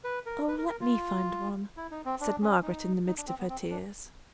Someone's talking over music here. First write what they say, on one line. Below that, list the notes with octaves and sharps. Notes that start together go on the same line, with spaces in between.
'Oh! let me find one,' said Margaret, in the midst of her tears.
B4
A#4
B4
A#4
A#4
F4
E4
D#4
C4
D4
C#4
D#4
D#4
D4
C4
B3
C4
D4